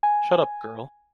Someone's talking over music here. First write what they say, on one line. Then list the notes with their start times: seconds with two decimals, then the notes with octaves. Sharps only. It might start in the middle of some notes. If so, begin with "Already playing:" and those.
Shut up, girl!
0.03 G#5